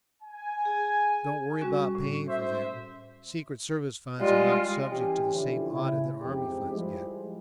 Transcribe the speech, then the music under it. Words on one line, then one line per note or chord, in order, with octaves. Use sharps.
Don't worry about paying for them: secret service funds are not subject to the same audit that army funds get.
G#5
G#4
G3 C#4 F#4
A2
C5 E5
G3 G#3 F4
E3 C#4 G4
A2 D3 E3 F3 E4 G4
C#3 E4
A1 F2 G#2 G4
A2 F3 G3 G#3